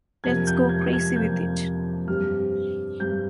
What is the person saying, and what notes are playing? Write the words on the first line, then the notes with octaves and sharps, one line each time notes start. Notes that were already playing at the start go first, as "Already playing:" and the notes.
Let's go crazy with it.
F2 C3 F3 A#3 G#6
G6
G#6
G#6
F2 C3 F3 A#3 G6
G2 G3 C4 F6
G2 G3 C4 G6